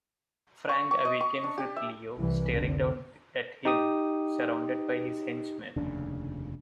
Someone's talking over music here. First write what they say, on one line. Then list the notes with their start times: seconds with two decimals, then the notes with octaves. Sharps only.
Frank awakens with Leo staring down at him, surrounded by his henchmen.
0.69 C#6
0.91 C#6
1.05 D#5
1.21 C#6
1.44 D4
1.58 G4
1.76 E5
2.18 C2 E3
2.53 F1 D3
3.65 D#4 G4 D#6
5.76 F1 D#2 C#3 D4